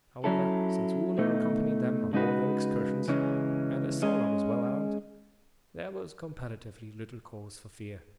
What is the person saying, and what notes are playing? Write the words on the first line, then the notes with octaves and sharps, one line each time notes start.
However, since Woola accompanied them on all their excursions, and as Sola was well armed, there was comparatively little cause for fear.
F#3 C#4 E4 A4
B2 A3 D#4
C#3 G#3 D#4 F#4 B4
C#3 E3 G#3 C#4
G#3 C#4 G#4 D#5